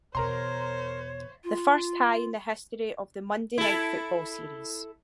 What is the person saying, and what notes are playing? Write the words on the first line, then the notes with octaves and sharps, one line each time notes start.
The first tie in the history of the "Monday Night Football" series.
E2 B2 A#4 C5 C#5 A#5 C6
F4
E4 A4